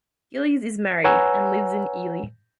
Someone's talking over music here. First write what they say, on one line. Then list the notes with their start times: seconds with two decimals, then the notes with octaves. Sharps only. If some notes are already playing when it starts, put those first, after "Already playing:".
Gillies is married and lives in Ely.
1.04 B4 C#5 F#5 G#5 A#5 E6